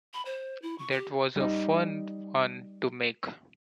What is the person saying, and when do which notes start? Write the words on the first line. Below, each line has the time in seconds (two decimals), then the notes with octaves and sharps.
That was a fun one to make.
0.14 B5
0.25 C5
0.62 E4
0.79 C#6
0.91 G4
1.36 G3 D#4